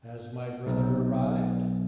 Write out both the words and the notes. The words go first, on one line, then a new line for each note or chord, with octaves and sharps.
Has my brother arrived?
B1